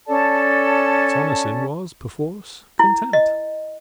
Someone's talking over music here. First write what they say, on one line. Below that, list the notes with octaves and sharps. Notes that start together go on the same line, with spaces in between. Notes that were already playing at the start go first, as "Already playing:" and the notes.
Thomasin was perforce content.
C#4 A4 D5 A5
E4
D#5